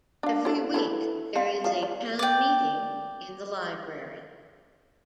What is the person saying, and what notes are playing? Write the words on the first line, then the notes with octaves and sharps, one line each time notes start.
Every week there is a "Town Meeting" in the library.
D4 F5
E4 A4
E4 A4 B4
C4 F5
F3 F5
D5
D5 G5